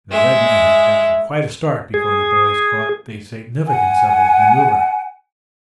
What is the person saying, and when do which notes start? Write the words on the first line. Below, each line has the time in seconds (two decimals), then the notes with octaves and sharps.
The red man had gotten quite a start before the boys caught the significance of his manoeuvre.
0.11 G#3 E5
1.94 G#4
3.67 F#5 G#5